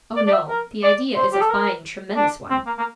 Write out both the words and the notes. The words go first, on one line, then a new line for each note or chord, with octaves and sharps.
'Oh, no; the idea is a fine, tremendous one.
D5
D5
E5
A#4
D5
C5
G4
A4
A#4
D4
C4
A#3
A#3